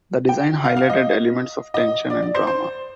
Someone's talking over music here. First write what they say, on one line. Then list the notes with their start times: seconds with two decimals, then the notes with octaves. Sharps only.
The design highlighted elements of tension and drama.
0.29 G5
0.65 F5
0.77 F5
0.90 D#5
1.74 D#5
2.10 D5
2.22 D5
2.35 C5
2.47 C5